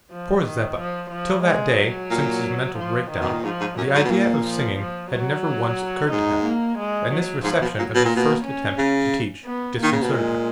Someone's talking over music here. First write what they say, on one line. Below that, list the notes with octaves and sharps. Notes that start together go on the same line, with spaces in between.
Poor Zeppa! till that day, since his mental break-down, the idea of singing had never once occurred to him, and this reception of his first attempt to teach disconcerted him.
F3
D#3
F3
F3
G#3
F#3
A#2
F3
D#3
B2
A#2
G#2 F3
G#2
F#2 F#3
G#2
B2
A#2 A#3
F3
F3
F#3
G#2 D#4
A#3
G#3
F#3
G#2 F3
B2
A#2 F#3
B2
A#2
A#3
B2
C#4
C#3
B3
D#3 A#3
C#3
B2
A#2 G#3